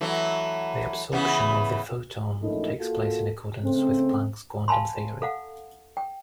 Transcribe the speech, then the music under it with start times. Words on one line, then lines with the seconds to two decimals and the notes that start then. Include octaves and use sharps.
The absorption of the photon takes place in accordance with Planck's quantum theory.
0.01 E3 F#3 A3
1.13 C#3 E3 B3
2.42 A#1 F#2 A3 D#4 E4
2.79 A#3 F4 F#4 A4
3.64 C#3 A3 C4
4.68 F5 G#5 A5 B5 C6
5.22 A4 F5 F#5
5.97 G5